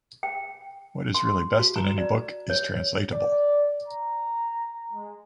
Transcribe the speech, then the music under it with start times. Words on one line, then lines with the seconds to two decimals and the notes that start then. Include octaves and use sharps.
What is really best in any book is translatable.
0.23 G5
1.15 C6
1.59 F#4
1.76 A#5
1.98 D5
2.50 C#5
3.12 D5
3.88 A#5
4.92 G#3